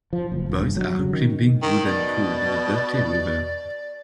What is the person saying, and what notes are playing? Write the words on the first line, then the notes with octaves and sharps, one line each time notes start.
Boys are climbing wooden poles in a dirty river.
F3
F#1
E1
G2
F#3
C#3
D#3
D#3
B2 D5